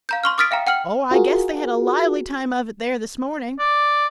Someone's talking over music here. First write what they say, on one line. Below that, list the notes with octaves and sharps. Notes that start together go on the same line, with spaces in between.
Oh, I guess they had a lively time of it there this morning.
F5 A#5 G6
C6 C#6 F6
D6 D#6 F6 A6 B6 D7
E5 F5 G5 A#5
F#5 G5 F6 F#7
F4 F#4 G#4 A#4
D5